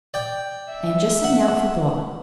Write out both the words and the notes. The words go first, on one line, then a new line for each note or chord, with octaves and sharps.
I am just setting out for Blois.
D5 G5
E5
F#5